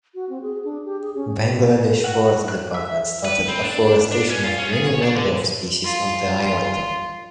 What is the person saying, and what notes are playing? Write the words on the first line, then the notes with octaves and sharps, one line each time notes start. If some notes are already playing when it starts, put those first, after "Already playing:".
Bangladesh forest department started afforestation of many mangrove species on the island.
F#4
C4
G#4
D4
G4
G#4
C#4
F#4
F#6
E5
B4
C4
D4
D4
C#4
F4
C#4
G#4
C#5
D4
D3
F4